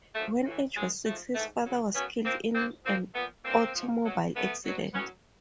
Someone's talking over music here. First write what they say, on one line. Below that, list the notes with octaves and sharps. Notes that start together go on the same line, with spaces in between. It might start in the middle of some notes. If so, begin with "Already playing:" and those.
When Agee was six, his father was killed in an automobile accident.
F#2 D3 F3 A3
A2 E3
G#2 D#3 F#3 G#3
G#2 F3 A3
G#2 E3 A3
F#2 C#3 F#3
F#2 C#3 F#3 B3 C#4
A#2 F3 A#3 C4
G2 D3 F3 A#3 C4
A#2 F3 A#3 C4
A#2 F3 A3 B3
G2 E3 A#3 C4
G#2 F3
B2 F#3
F#2 D#3 F#3 A3 B3
B2 F#3
A2 F#3 B3 C#4